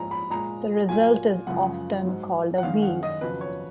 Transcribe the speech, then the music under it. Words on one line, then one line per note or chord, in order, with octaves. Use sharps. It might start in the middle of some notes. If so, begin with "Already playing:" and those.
The result is often called a "weave".
Already playing: G#2 F3 G#3 A#5
B5
A#2 G#3 A#5
A#2 F#3 G#5
F#2 C#3 F3 G#3 F#5
G#2 F#3
F#5
F#2 D#3 G#3 F5
F#5
D#5
F2 C#3 F#3 B4
C#5